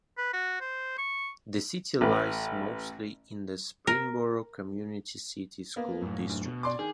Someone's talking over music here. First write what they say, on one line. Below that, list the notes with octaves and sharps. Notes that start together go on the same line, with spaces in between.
The city lies mostly in the Springboro Community City School District.
B4
F#4
C5
C#6
A1 B4
A#4
A#3 B3
F#2 A2
D2
B2
D5 C6 D6
D#3 G#4